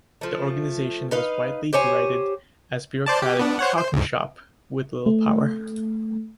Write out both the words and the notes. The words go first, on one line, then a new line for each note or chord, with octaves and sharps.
The organisation was widely derided as a bureaucratic "talking shop" with little power.
F3 A3
D#4 B4 F5
G4 C5 C#5 G#5
C5 D5 A5
G4
B3 D4
C5 C#5 F#5
C5
D2 G#2
A3